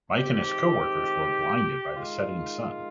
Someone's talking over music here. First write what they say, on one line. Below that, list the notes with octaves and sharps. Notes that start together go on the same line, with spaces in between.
Mike and his coworkers were blinded by the setting sun.
D#3 G#3 C4 G4
D#3 G#3 D#4 F4